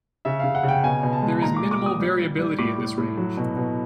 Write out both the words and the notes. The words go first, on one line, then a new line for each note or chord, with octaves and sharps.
There is minimal variability in this range.
C#3 E5
C#3 F5
F#5
C#3
G5
B2 G#5
B2
A5
G#3
A#2 A#5
G#3 D6
D6
A#2
D#6
G3
G3
G3
A2 D6
A2
A2
F#3
B2
B2